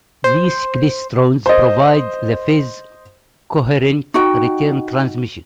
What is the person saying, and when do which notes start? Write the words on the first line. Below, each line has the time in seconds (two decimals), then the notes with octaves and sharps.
These klystrons provide the phase coherent return transmission.
0.24 C5
1.46 C5 D#5
4.14 D#4 F#4 G5